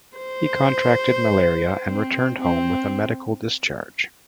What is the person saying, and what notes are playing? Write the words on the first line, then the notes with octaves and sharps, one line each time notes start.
He contracted malaria and returned home with a medical discharge.
C5
C4
C4